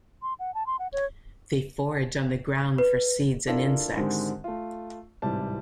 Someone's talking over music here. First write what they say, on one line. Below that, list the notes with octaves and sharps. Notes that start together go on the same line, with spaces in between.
They forage on the ground for seeds and insects.
C6
F#5
A5
C6
F#5
C#5
B4
D4 E4 F4 A4 A#4
G#2 D3 D#3 G#3 C4 G4
A3 F4
D1 G#1 C3 E3 G3 A5